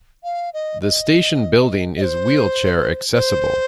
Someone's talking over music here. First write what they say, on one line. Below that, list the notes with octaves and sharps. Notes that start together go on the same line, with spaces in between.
The station building is wheelchair accessible.
F5
D#5
D#5
D#5
C5
C5